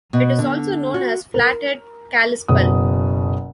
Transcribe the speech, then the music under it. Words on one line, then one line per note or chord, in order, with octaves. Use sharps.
It is also known as Flathead-Kalispel.
B2
D3
F#4
A#4
F#1 B2 D#6